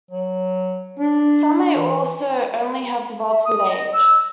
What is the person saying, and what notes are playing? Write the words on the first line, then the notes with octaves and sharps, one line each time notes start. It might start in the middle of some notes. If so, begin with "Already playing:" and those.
Some may also only have developed with age.
F#3
D4
E3
E5
D#6
D#5
E6